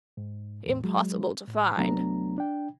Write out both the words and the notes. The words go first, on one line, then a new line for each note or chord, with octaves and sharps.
"Impossible to find."
G#2
E2 A2
F#3 G#3
A2
C2 F#3 A3 B3 D4 A#5
D4 G5